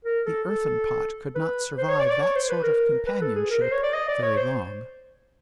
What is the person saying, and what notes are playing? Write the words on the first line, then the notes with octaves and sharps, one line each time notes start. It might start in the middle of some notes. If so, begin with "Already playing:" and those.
The Earthen Pot could not survive that sort of companionship very long.
A#4
A4
A4
B4
C5
C#5
D5
C#5
D5
C#5
C5
B4
A#4
B4
A4
G#4
A#4
C5
C#5
D5
D#5
D5
C#5
C5